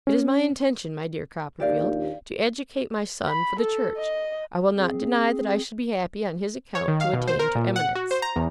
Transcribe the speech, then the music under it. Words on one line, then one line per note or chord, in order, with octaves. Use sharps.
It is my intention, my dear Copperfield, to educate my son for the Church; I will not deny that I should be happy, on his account, to attain to eminence.'
C#4
A#1 D#2 G4 D5 F5
B5
A4
D#5
C4 G#4
C#5
D#3
F5
B2
C5
A#4
A#2
F#5
F#4
C5
A#5
E2